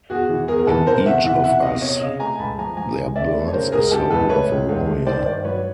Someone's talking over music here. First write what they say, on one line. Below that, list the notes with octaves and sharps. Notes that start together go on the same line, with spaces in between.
In each of us there burns a soul of a warrior.
E2 F#4 G#4
E3
E2 G#4 A#4
A#4
E3 A4 B4
C3 A#4 C5
E2 E5 F#5
E3 E5 F#5
C3 E5 F#5
E2 D#5 F5
C3 C#5 D#5
C#3 D#5 F5
A3 G#5 A#5
C#2 A5 B5
F3 G#5 A#5
F3 G#5 A#5
C#2
C#3 D5 E5
A3
C#5
C#3 A#4 C5
C#2 G#4 A#4
C#3 G4 A4
C#2 A4 B4
A3 B4 C#5
C#2
C#2
A3
D#3 C5 D5
G2 C5 D5
F#3 B4 C#5